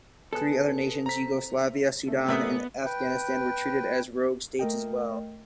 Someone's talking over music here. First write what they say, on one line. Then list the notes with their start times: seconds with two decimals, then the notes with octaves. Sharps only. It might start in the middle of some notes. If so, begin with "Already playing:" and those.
Three other nations, Yugoslavia, Sudan, and Afghanistan, were treated as rogue states as well.
0.33 B3 G#4 A4 F#6
1.06 C4 A#5 B6
2.07 C#3 A3
2.28 A2 A3 B3 C#4 G4 A#4 E5 D#6
2.85 B4 G5
4.59 A3 A#4 D#5 G5